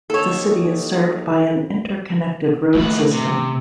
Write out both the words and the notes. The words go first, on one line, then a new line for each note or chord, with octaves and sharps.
The city is served by an interconnected road system.
D#2 A4 C#5
D#2 A3 B4
C3